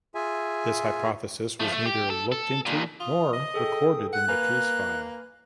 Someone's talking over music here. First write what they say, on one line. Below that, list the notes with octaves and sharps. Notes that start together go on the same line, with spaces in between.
This hypothesis was neither looked into nor recorded in the case file.
F4 G#4 E5 G#5
F3 A3
A3
G4
A4
A4
D#2 A#2
F4 D#6
D#5
G#4 A4 G5
F#5 F#6
A#3 A#4 B4 G#5